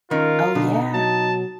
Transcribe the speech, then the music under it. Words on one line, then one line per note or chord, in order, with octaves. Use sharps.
Oh, yeah.
D#3 C#4 F4 A#4
B2 D3 D#4
F#3 A5